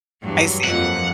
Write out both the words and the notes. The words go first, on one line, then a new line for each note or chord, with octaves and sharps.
I see.
E2 G2 F#3
F2 F3 A#3 F#5